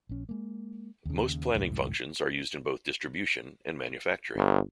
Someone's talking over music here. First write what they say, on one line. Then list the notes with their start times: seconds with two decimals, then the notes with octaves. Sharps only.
Most planning functions are used in both Distribution and Manufacturing.
0.09 A#1 C#4
0.29 G#3 A#3
1.06 D#2 C#3
1.53 G#1 C#2 F#2 A2
4.35 G1